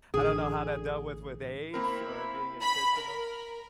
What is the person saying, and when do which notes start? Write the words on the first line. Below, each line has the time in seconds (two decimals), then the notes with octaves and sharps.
don't know how that dealt with with age or it being intentional,
0.14 A1 D3 G#4
1.74 A#3 C4 E4 A#4 B5
2.62 B5
2.98 A#4